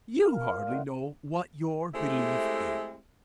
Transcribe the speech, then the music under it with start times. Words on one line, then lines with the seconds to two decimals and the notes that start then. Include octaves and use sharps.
You hardly know what your belief is.
0.22 A#4 F5
0.53 F4 D5
0.69 A2 G#3 F#4
1.94 G#3 A3 C4 E4 G4